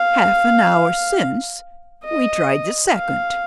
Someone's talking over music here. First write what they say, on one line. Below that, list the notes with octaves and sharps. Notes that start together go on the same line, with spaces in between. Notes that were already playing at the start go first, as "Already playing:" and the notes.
Half an hour since we tried the second.
Already playing: F5
D#5
F5